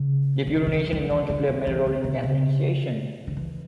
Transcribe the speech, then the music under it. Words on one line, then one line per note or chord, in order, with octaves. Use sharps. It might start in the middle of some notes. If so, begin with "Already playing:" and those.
Depurination is known to play a major role in cancer initiation.
Already playing: C#3
E3
D3
E3
D3
E3
E3
D3
F#3
E3
D3
D3
C#3
D3
E3